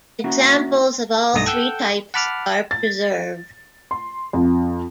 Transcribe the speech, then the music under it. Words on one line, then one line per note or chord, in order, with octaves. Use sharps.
Examples of all three types are preserved.
A#3 C#4 E4 F#4
B1 G2 A3 D#4 D#6 A#6
A4 F#5 G5 E6 G6
F#5 A5 B5 D6 F6
A6
C6
F2